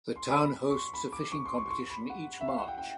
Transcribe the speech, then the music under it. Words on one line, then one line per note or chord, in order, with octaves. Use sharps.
The town hosts a fishing competition each March.
C6
B5
B5
C#6
C6
B5
D6
C#6
C6
C#6
C6
C#6
B5
F#5
E5
F5
F#5
G5
G5